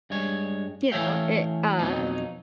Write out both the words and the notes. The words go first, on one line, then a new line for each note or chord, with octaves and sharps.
you know, it uh,
G2 G#3 C#5
E3 A3 C#5 E5 F5 G5
F2 B2 F#3 D#4